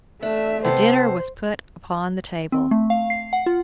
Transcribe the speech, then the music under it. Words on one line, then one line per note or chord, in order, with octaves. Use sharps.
The dinner was put upon the table.
A3 D4 E5
C3 B3 A4 C5
C4
A3
F5
C7
F#5
F4